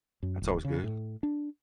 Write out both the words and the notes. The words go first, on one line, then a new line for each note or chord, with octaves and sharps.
That's always good.
F#2
D1
C#3
A2
D4